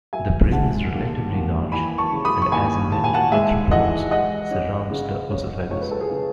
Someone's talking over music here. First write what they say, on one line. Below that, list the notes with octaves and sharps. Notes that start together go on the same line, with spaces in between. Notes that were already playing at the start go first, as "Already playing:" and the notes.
The brain is relatively large, and, as in many arthropods, surrounds the oesophagus.
F#3 E5 G#5
G#2 F#5 A5
D#2
D#2
E3 G#5 B5
A5 C#6
C#3
B5 D#6
C#6
D#2 G#5 B5
D#2 A5
G#5
F#5 A5
G#3 E5 G#5
E3 D#5 F#5
G#3 D#5 F#5
C#4
C#3
C#4
C#2 C#5
B4
A4
G#4 B4
C#3